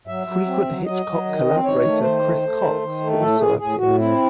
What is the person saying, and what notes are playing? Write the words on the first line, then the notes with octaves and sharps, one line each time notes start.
Frequent Hitchcock collaborator Chris Cox also appears.
F#3 E5
F#3
C4
F#3
F#3 D#5
F#3
D#3
C4
D#3 C#5
A3
D#3 C5
A3
A3
D#3
D#3
A3
A2 A4
A2 G#4
A2 G#4
A2 F#4
C4 E4